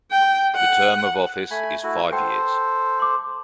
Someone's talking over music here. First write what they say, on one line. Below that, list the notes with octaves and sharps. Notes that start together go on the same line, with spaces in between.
The term of office is five years.
G5
F#5
A3 G#5 B5
A3 E4 F#4
A4 B4 C5 F#5 G5
C6 D6